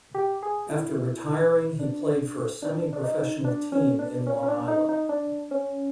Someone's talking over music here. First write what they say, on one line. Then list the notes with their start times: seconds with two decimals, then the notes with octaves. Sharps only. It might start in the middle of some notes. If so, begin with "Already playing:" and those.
After retiring he played for a semi professional team in Long Island.
0.15 G4
0.43 G#4
0.70 E4
1.79 D4
2.62 D4
2.93 D4
3.03 D#4
3.44 D4
3.72 C#4
3.99 D4
4.27 C#4
4.43 C#4
4.48 D4
4.68 D#4
4.89 D#4
5.09 D4
5.51 C#4